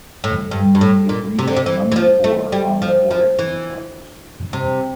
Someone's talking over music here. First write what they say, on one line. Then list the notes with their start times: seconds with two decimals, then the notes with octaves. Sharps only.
It reached number four on the Oricon Charts.
0.24 A2
0.51 G2
0.75 G2
0.81 A2
1.09 A#2
1.39 C3
1.47 D3
1.56 C3
1.66 E3
1.92 E3
1.96 F3
2.24 A3
2.52 G3
2.82 F3
3.11 F3
3.39 E3
4.53 C3